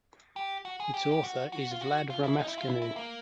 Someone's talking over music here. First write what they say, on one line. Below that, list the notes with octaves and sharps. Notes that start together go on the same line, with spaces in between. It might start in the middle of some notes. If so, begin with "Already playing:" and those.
Its author is Vlad Romascanu.
G4
F#4
G#4
G4
G4
F#4
F#4
F4
F#4
F4
E4
D#4
E4
F4
E4
E4
A#3